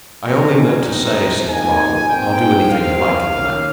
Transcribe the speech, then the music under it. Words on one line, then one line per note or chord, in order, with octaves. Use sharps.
"I only meant to say," said Cradell, "I'll do anything you like in the matter."
F2 C3 D#3 G#3 C#4 A#5
G#5
G2 D#3 G#3 C4 D#4
A#5
F2 D#3 A#3 D#4 G#5
A#2 F3 C4 D#4 G5
C2 C3 F3 C4 F5
D#2 D#3 A#3 C#4